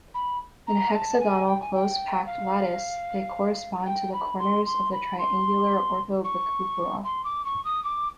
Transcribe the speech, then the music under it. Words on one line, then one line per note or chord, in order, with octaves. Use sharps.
In a hexagonal close-packed lattice they correspond to the corners of the triangular orthobicupola.
B5
A#5
A5
G#5
G5
G#5
G5
F5
G5
B5
C6
C6
B5
C6
C#6
C6
D6
C#6
D#6
D6